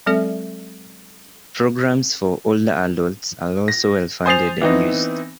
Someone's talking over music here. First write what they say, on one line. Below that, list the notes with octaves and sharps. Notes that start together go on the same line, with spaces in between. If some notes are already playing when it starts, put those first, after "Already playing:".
Programs for older adults are also well-funded and used.
F#3 G#3 C4 A4 D5 E5
A#6
C5 G#5 D#6 A6 C7 F7
E3 B3 C4 D#4